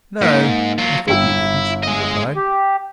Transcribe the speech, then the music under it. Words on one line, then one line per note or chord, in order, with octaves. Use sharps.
"No, I thought you didn't," he replied.
G#2 A#3
F#3 F4
G1 E4 G5 E6
G#3 D#5
G4